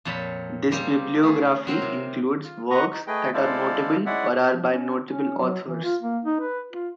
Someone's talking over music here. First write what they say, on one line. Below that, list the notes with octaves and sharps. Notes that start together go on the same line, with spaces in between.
This bibliography includes works that are notable or are by notable authors.
F2 A#2 C#5 A5 B5
G3 A#3 C4 G4 G#4
A3 G#4
F#3 C4 A#4 C5
C3
F4
B4 D#5 F#5 A#5 C#6
D#4
A3 G#4 B4 D#5 G5
G#3 E4 A4 C5 D5 F5
G#3 C#4 E4 D5 E5 F#5
F3
C#4
C#4
F#3
E3
F4
A#3
D#4
B4
F4